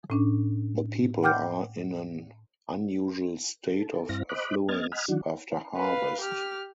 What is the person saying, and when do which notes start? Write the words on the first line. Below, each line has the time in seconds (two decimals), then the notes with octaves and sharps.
The people are in an unusual state of affluence after harvest.
0.10 A2 C#4 D4
1.23 F#5 G5 D6 F6 G6
3.74 A4
4.09 G2 C4 E4 F5 A#6
4.29 C5 D#5 B5 D6 F#6
4.69 B3 D#5 F6 G#6 A6
4.92 D#5 F#5 G#5 B5 F6
5.08 D#3 E3 F#3 D4 F#4
5.77 B4 F5
6.21 G4 F6